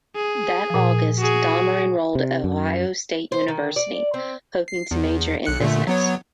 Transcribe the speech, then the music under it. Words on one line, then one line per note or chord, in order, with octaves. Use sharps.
That August, Dahmer enrolled at Ohio State University, hoping to major in business.
G#4
A#2 F3
F#4 G#4
C3
F#2
C5
D#3
D5
C4
C7
E2
B1 F#6 C#7
A#2 D3 A3
F#3 B3 C#5